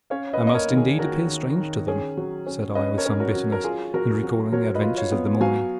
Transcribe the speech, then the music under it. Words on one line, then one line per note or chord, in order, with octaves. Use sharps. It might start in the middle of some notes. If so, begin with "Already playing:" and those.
"I must indeed appear strange to them," said I, with some bitterness, and recalling the adventures of the morning.
C#4 C#5 F5
B4 D#5
A#3
D#5
A#4 C#5
D#3
G#4
D#3 F#4 A#4
D#3
D#3
C#4 G#4
F#3
C#4
C#4 B4 D#5
A#4 C#5
C#4
F#4 A#4
F#3
A#4
F4 G#4
F#3 F#4 A#4
F#3
F#3 A#4 C#5
B4 D#5
F4
C#5 F5
B3
F#3 F5 G#5